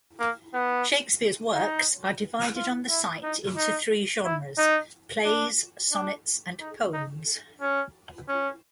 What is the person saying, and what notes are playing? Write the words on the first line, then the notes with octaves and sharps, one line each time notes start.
Shakespeare's works are divided on the site into three genres: plays, sonnets, and poems.
A#3
B3
D#4
F4
E4
D#4
D#4
E4
D#4
D4
D4
D#4
D#4
C#4
C#4